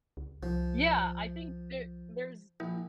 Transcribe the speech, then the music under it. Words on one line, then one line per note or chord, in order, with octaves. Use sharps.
yeah, I think there there's
C#2
C2 F3
A#1 E4